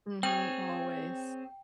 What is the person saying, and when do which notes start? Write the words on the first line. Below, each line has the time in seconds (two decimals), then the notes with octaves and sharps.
Mhm, always.
0.23 C4 G#4 C#5 G5